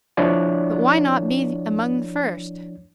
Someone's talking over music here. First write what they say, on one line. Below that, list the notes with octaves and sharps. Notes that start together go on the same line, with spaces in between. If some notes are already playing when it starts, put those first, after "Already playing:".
But why not be among the first?
F3 D4 E4 C#5 D5